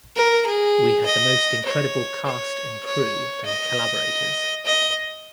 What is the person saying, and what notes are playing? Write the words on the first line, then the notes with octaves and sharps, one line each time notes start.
We had the most incredible cast and crew and collaborators.
A#4
G#4
D#5
C#5
C#5
C#5
D#5
D#5